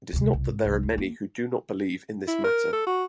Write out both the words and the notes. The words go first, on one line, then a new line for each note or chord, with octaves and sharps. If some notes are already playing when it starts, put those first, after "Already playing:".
It is not that there are many who do not believe in this matter.
D2 C3
C2
G#2
C2 F#3
D2
A#3
E4
A#4
A4
F#4